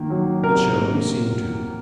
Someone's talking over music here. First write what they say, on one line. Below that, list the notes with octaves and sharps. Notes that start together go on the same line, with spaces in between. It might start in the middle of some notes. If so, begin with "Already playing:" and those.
It shall be seen to.
Already playing: D#3 A#3
F#3
C3 A#4
A#3